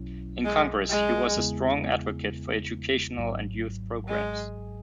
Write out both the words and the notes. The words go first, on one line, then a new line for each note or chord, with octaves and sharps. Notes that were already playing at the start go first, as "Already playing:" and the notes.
In Congress he was a strong advocate for educational and youth programs.
Already playing: B1 B2 F#3 C#4 E4
G#3
G#3
E2 C#3 G#3 B3 E4
G#1 G#2 F#3
G#3